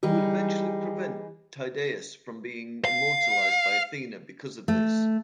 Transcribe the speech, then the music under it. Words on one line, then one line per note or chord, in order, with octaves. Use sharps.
He would eventually prevent Tydeus from being immortalized by Athena because of this.
E3 G3 D#4 G#4
F5
A3